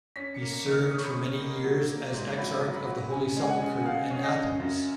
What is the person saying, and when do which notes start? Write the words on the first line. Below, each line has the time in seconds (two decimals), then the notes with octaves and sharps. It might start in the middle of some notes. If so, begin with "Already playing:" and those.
He served for many years as Exarch of the Holy Sepulchre in Athens.
0.16 C#4 B6
0.34 C#7
0.41 A#3
0.53 C#7
0.65 D#3
0.71 F6
0.90 C#4 D#6
0.98 C#6
1.05 B5
1.13 C#4 C#6
1.40 A#3
1.64 F#3
1.88 A#3
2.13 G#2
2.38 F#3 B5
2.63 F#3
2.74 B5
2.87 F#3
3.11 C#3 G#5
3.37 G#3
3.43 G#5
3.49 F#5
3.62 C#3
3.85 C#3 F5
4.10 C#4
4.23 D#5
4.35 C#3
4.59 F#2